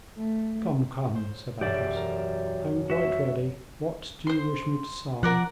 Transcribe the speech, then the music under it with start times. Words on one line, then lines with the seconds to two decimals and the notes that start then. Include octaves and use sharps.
"Come, come," said Athos, "I am quite ready; what do you wish me to sign?"
0.18 A3
1.15 C5
1.61 E1 F#2 G4 D5 E5
1.96 A#4
2.90 F#4 E5
4.27 C5 C6
5.23 F3 A#4 D5 F#5